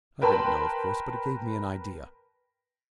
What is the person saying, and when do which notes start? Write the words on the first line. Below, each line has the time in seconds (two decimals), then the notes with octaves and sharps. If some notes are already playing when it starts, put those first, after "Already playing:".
I didn't know, of course, but it gave me an idea.
0.21 A#4 B4 G5 A5 B5 C6